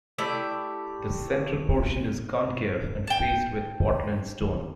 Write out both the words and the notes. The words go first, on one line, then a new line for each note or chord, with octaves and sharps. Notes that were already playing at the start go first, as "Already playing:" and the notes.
The central portion is concave and faced with Portland stone.
A3 E4 G4 D5
G5 A5